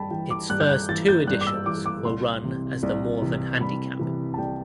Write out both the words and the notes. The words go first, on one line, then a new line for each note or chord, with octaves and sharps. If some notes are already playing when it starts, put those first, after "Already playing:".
Its first two editions were run as the Morven Handicap.
Already playing: G2 G5 A5 B5
E3 G5
D6
G2 F#6
G6
F#6
E3 A6
G6
G2 F#6
D6
E6
E3 D6
D6
C2 C6
C3 E3
C2
C3 E3
C2 B5
C3 E3
A5
C2 G5